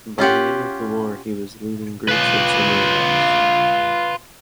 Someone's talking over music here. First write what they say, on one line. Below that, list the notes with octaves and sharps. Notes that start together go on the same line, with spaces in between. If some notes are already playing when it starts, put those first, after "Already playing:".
By the end of the war he was leading groups of submarines.
C#4 F4 G4 F#5
F4 B4